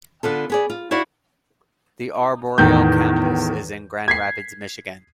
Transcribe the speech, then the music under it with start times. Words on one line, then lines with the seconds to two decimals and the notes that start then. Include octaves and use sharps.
The arboreal campus is in Grand Rapids, Michigan.
0.23 D3 B3 F4 A4
0.50 B3 G#4 D5
0.70 F4
0.91 E4 F#4 D5 F5 F#5
2.58 E2 A2 D#3 G6
4.08 G#6 B6 C7